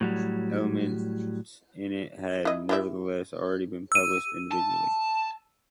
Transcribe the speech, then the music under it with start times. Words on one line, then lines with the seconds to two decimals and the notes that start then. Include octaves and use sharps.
Elements in it had nevertheless already been published individually.
0.01 A2 F#3 G3
2.45 E4 D#5
2.69 E4 G4 E5
3.92 E6 D#7
4.51 A5